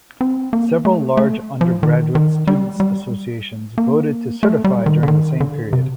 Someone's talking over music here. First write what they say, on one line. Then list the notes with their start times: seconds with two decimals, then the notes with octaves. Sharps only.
Several large undergraduate students' associations voted to certify during the same period.
0.21 C4
0.53 A#3
0.85 A3
1.17 A3
1.61 F3
1.83 D#3
2.15 D#3
2.47 G3
2.80 G3
3.78 A#3
4.43 A3
4.64 G3
4.86 D#3
5.03 D3
5.08 D#3
5.40 D3
5.73 C3